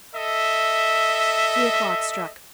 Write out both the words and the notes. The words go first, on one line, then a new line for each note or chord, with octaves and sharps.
Three o'clock struck.
A4 D#5 E5